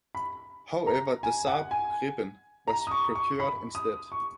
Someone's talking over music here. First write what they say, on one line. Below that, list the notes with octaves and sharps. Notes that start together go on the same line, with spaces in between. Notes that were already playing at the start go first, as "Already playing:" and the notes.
However, the Saab Gripen was procured instead.
B5
A#5
G#5
F#5
G#5
A#5
D#6
C#6
C#6
B5
D#6
C#6